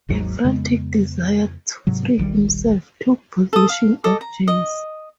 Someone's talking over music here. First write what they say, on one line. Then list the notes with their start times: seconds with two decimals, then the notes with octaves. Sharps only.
A frantic desire to free himself took possession of James.
0.09 G#1 D#2 G#2 F#3
0.44 F2 C#3 G#3 B3
1.87 G#2 C3 F#3
2.18 D#1 A#1 D#3 G3
3.53 A4 D#6
3.69 F5
4.04 A4 D#5 D6
4.21 A#5
4.48 D#5